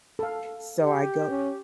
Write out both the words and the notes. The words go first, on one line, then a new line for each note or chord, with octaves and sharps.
So, I go
A4 F5
G4
C#4